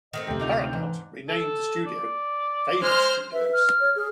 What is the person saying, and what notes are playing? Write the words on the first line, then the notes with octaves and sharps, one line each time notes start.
Paramount renamed the studio Famous Studios.
D#3 A3 C4 D#5
D2 C3 G5
D4 D#4 F4
G#2 E3
A4
D5
G#3 C5 F6
B4 E5
F6
C#5
G#4